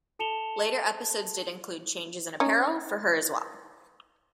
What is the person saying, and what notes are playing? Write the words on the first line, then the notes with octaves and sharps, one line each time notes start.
Later episodes did include changes in apparel for her as well.
A4 A5 C#7 E7 F7 G7
C#4 D#4